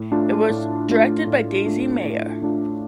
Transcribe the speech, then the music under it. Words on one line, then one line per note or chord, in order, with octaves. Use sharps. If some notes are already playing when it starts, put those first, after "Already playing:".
It was directed by Daisy Mayer.
Already playing: A2
A3 D4 F4
A2
A3 D4 F4
A2
A3 D4 F4
A2
A3 D4 F4